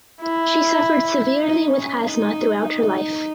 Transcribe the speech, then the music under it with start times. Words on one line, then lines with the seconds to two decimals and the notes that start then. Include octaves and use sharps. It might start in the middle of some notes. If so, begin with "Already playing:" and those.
She suffered severely with asthma throughout her life.
0.21 E4
1.42 D#4
1.72 C#4
2.03 D#4
2.62 D#4